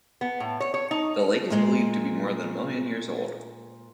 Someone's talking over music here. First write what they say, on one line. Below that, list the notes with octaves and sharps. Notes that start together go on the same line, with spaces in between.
The lake is believed to be more than a million years old.
B3
A2
C#5
C#5
D#4
A#2 G#3